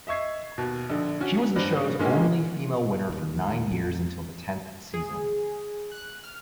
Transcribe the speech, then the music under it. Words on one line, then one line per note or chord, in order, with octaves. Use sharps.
She was the show's only female winner for nine years until the tenth season.
D#5 E5 C#6 G#6 C7
D#2 B2
A#1 D3
C#4 D4 F#4
G2 C4 B4 D5 F#6 A#6
A#2 D3 G#3 A#3 C#4 G4
D#2
F2
G#4
F#6
F6